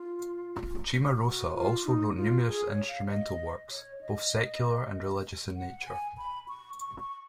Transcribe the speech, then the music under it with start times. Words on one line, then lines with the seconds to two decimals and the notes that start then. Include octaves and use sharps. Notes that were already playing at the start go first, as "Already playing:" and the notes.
Cimarosa also wrote numerous instrumental works, both secular and religious in nature.
Already playing: F4
1.23 F#4
1.54 F4
1.85 D#4
2.16 F4
2.46 G#4
2.67 C#5
2.88 F5
3.09 D#5
3.71 C#5
4.01 D#5
5.56 F#5
5.86 G#5
6.18 B5
6.48 C#6
6.80 C#6
7.00 C#6